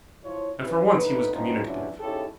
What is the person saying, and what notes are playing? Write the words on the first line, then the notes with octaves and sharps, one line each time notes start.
And for once he was communicative.
F3 E4 F4 C#5
G3 C#4 E4 B4
D2 A2 D#4 B4
F3 G3 B3 C#4 D#4 E4
E2 F#3 C#4 D4 E4 F4
G#2 C#3 E4 G4 A4 C#5